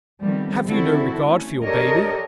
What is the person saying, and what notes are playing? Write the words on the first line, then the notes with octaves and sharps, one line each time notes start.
Have you no regard for your baby?'
D#3 F3 G3 A3 B3 C4
D3 D#3 C4 E4 F#4 A4
A3 C#4
D4 G4 A4 A#4 C#5 D#5